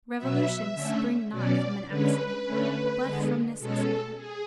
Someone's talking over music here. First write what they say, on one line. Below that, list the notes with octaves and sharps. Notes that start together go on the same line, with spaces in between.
Revolutions spring not from an accident, but from necessity.
B2 F#3 B3 E5
D3 A3 C#4
B2 F#3 C#4 D5
D3 G#3 C#4 B4
D3 A3 C#4
D3 G#3 B3
B2 G#3 C#4 A4
G#4